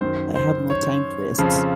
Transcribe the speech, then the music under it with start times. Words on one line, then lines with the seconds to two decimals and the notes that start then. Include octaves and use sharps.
I have no time to waste.
0.01 F#2 D#3 C5
0.35 C5
0.70 C#5
1.38 F2 C#3 F3